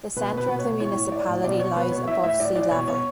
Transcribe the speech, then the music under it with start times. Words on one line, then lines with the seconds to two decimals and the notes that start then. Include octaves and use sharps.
The center of the municipality lies above sea level.
0.16 B2 B4
0.32 B2
0.37 B4
0.48 B2
0.59 C#5
0.64 B2
0.80 E3 C#5
0.96 A2
1.12 E3 D5
1.28 A2
1.44 B2 D5
1.60 B2 C#5
1.76 B2 B4
1.92 B2 C#5
2.07 E3 E5
2.23 A2 E5
2.40 A2 D5
2.55 E3 D5
2.71 B2 C#5
2.88 B2 C#5